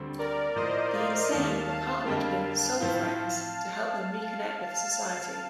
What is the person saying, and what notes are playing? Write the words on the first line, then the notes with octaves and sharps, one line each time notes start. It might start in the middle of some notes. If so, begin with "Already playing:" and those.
The insane were partnered with "soul friends" to help them reconnect with society.
Already playing: D2 D3 G3 C4
A#4 D5
A2 F3 A#3 C5 D#5
D5 F5
D#2 D#3 A3 D#4 F5 A5
F5 A5
F2 D3 G3 A#3
A2 F3 C4 F4